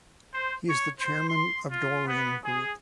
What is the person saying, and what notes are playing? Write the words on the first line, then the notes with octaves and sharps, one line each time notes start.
He is the Chairman of Doreen Group.
C5
C#5
C5
C6
F4
B3
G#4